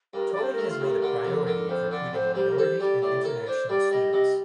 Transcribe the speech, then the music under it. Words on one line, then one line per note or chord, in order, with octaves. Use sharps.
Towey has made a priority of recruiting minority and international students.
G2 A#4
G2 D5
C5
A#4
A3
F4
G2
A#4
D3
F2
D3
F2 C5
D3 D5
F2 C5
G3 C5
A#4
A4 C5
G3 D5
A2 D5
A4 A#4
D4 C5
G3 D5
G3 D#5
C3 D#5